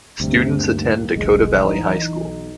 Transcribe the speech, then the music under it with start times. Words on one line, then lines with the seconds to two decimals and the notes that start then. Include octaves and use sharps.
Students attend Dakota Valley High School.
0.20 D2 G2 C3
0.59 D#2
1.16 E1 B1 G#3
1.64 E3 D#4
2.12 B1